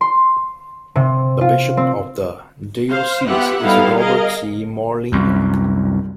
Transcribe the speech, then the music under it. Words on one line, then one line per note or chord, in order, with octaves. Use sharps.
The bishop of the diocese is Robert C. Morlino.
C6
C3
F4
C4
C5 F5
B3 F4 G4 E5 F#5
G3 B3 D#4 E4 A4 F5
G#4 A#4 D#5 F5
C2 F#2